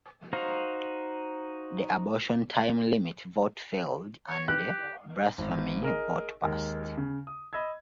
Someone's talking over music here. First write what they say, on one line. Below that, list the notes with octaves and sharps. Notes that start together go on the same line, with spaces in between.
The abortion time limit vote failed and the blasphemy vote passed.
D#4 F#4 C5 F5 A#5
C#5
G4 F#6
G#1 G#2
G#4 A#4 D#5
D#2 G#3 A#4
C#3
D#6
D#5 B5 E6 G#6